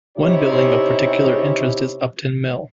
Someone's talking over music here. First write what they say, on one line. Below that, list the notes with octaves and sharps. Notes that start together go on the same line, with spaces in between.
One building of particular interest is Upton Mill.
C3 C#4 D#4 E4 G4 C#5